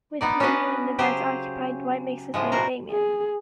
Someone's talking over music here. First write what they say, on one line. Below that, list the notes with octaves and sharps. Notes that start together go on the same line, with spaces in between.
With Manute and the guards occupied, Dwight makes his way to Damien.
B3 D#4 D5
C#4 D4 F#4 B4 D#5 F5
C#3 F#3 G4 G#4 C5
A2 C#3 F3 G#3
B2 F#4 A#4 C5 A#5
G#4